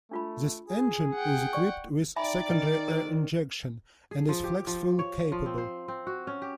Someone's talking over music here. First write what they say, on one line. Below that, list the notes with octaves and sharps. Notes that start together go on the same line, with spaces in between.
This engine is equipped with secondary air injection, and is flex-fuel capable.
A3 D4 F4 B5
G#4
F#5 G5
D5 C#6
D#4 D5 E5 G5 G#5 A#5 B5
D#3
A#4 C5
G#4
F3
G4
F3
C#5
F3
C4
C5
C4
F#4
C#4
G4